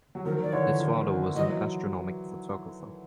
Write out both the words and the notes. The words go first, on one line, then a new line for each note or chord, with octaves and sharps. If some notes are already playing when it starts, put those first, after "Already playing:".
His father was an astronomic photographer.
F#3
D#3 F3 A#4
D5
D3 E3 C#5
D#3 F3
E3 F#3 D#5